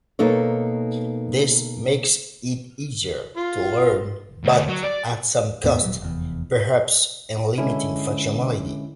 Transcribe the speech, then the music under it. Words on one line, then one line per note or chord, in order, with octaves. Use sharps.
This makes it easier to learn but at some cost, perhaps, in limiting functionality.
B2 A#3 D#4 A4 C#5
F4
D2
F#3
D5
E2 A2 B3
D#1 A#2 F#3 G3
F1 E2
D3 G#3 C#4 D4 E4